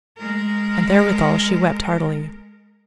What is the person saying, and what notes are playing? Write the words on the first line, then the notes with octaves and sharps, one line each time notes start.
And therewithal she wept heartily.
G#3 A#4